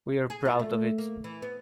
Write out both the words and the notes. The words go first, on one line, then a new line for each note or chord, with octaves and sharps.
We're proud of it.
G#4
F4
A3
A#3
E3
B3